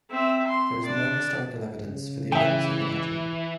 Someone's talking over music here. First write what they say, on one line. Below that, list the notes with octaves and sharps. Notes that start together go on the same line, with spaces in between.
There is no historical evidence for the events in the legend.
C4 E5
C6
D4 D5
C#3
E3 E5 G5